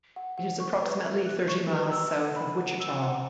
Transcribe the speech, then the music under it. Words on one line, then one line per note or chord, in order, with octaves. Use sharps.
It is approximately thirty miles south of Wichita.
F#5
F#5
C#6
B4
E5
F#6
C#6
B4
E6
F#5
B5
F#5
E6
F#5